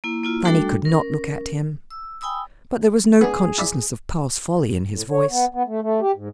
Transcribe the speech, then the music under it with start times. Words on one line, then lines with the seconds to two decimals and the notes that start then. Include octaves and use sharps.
Fanny could not look at him, but there was no consciousness of past folly in his voice.
0.04 A#3 E4
0.23 A#3 E4 F4
0.45 G3 A3 D4 F#4 A4 G5
0.85 C#4 A#4
1.91 E6
2.21 G5 G#5 B5 D#6 E6
3.21 B3 D4 G#4
3.58 E4 D5 E5
4.89 A2
5.11 C#5
5.30 B3
5.55 B3
5.68 A3
5.82 A3
6.01 G4
6.16 G#2